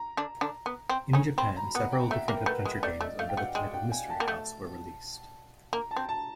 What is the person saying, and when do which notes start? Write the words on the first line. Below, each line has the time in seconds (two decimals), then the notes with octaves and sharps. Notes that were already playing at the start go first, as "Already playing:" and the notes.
In Japan, several different adventure games under the title "Mystery House" were released.
Already playing: A#5
0.17 D3 D4
0.41 D3 D4
0.66 B3
0.89 C4
1.13 C#3 C#4
1.38 C4 B5
1.56 A#5
1.75 B3 F#5
1.92 G5
2.11 A3 E5
2.28 A#3 A#4
2.46 A3 B4
2.65 G#3
2.83 A3 D5
3.01 A3 D#5
3.19 A3 F5
3.29 G5
3.37 A3 F#5
3.55 G#3 G5
3.74 G5
3.91 G#5
4.10 A5
4.20 A#3
4.28 A3
5.73 A#3 A#5
5.91 A5
5.96 C4
6.09 A5